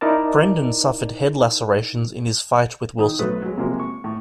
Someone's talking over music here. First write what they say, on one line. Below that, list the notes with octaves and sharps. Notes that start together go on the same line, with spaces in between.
Brenden suffered head lacerations in his fight with Wilson.
D#4 E4 A#4 D5 A5
D#3 D#6
B1 F#3 A3 B4 C5 D#6
F#3 G#3
C3 F3 F#3 G#3 A#3 C4
C#6
A2 C#6